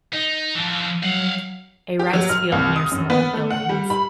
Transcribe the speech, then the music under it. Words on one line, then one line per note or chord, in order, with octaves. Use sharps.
A rice field near some old buildings.
D#4
E3 F3
F#3 F5 F#5
G4
F#3
F6
C2
D#6
F#2
B3
A3
F#5
G3
B5